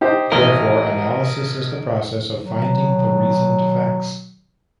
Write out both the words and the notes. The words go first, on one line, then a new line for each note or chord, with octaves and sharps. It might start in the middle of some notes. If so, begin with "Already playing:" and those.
Therefore, Analysis is the process of finding the reasoned facts.
D#4 G4 C5
A1 A#4 D#5
B2 D#3 F#3